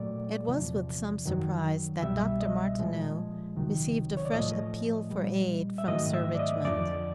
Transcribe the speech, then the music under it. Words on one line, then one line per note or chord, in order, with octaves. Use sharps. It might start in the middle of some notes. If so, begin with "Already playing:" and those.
It was with some surprise that Dr. Martineau received a fresh appeal for aid from Sir Richmond.
Already playing: A#2 F#3 A3 D5
E2 C3 F3
F#2 D#3 F#3
C2 B2 G3 E5
D#5
A#2 F3 G#3
C#2 C3 D#3 F#3
C#5
D5
A2 F3 A3 D#5
A#2 G3
E5
G#2 D#3 F#3 A3 D#5
E5
D5
D#5
F2 D3 F3 D5